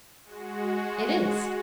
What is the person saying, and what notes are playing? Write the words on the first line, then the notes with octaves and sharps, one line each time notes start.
"It is."
G#3 F#4